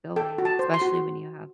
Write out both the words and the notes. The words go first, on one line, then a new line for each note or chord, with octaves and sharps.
going, especially when you have
A4 G5
F#4
A5
C5
C6
F#4